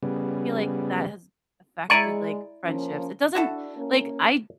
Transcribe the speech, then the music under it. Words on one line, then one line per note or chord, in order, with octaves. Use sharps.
feel like that has affected, like, friendships, it doesn't like, I
C#3 G3 B3
G#3 E4 D5 G#5 A#5 C#6
F3 A#3 C#4
D4 E4 F#4 A4
A#3 C#4